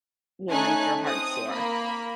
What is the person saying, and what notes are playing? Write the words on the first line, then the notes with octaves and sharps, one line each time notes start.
will make your heart soar,
A3 C#4 D#4 G#5 F#6 G#6
C4 D#6
A#3 B5